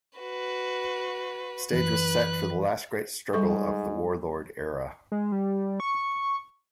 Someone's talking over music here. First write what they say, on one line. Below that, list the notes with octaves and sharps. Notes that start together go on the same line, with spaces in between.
The stage was set for the last great struggle of the Warlord Era.
F#4 B4
F#2 E3 B4 F#6
G#2 G3 A4 C#6
G#3
G3
C#6